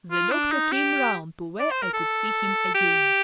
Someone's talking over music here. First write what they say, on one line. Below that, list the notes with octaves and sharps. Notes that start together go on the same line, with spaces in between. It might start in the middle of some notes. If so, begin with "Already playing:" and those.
The doctor came round to where I could see him again.
F4
D4
D#4
G4
D5
C5
A#4
A4
G4